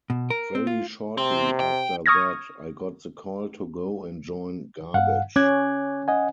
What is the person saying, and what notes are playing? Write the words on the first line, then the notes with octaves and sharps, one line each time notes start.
Very shortly after that, I got the call to go and join Garbage.
B2
A#4
C4
F4
C3 C4
G5
C#6 D#6 F6 G#6 A#6
G2 F5 F#5
C#4 D6 F#6 G#6
D#5 F#5 G#5